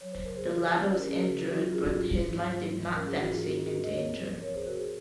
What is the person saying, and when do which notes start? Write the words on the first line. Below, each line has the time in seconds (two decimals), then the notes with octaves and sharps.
The latter was injured, but his life did not then seem in danger.
0.01 F#3 C#5
0.12 C5
0.25 C#3 A#4
0.36 G#4 C5
0.50 C#3 F#4 A#4
0.75 C#4
0.99 C#4 A#4
1.09 G#4
1.18 F#4 A#4
1.24 C#3
1.49 F#3 F#4
1.60 F4
1.73 C#4 F4 G#4
1.84 D#4 F#4
1.97 G#2 F4
2.22 G#2
2.46 F#3 F4
2.70 G#2
2.95 C#4 A#4
3.07 G#4
3.18 G#2 F#4
3.29 F4 G#4
3.44 C#4 F#4 A#4
3.63 G#4
3.68 G#2 F#4 A#4
3.83 D#5
3.93 C4 A#4 C#5
4.18 F3
4.42 F3 A#4 C#5
4.54 G#4 C5
4.66 C3 F#4 A#4
4.79 G#4 C5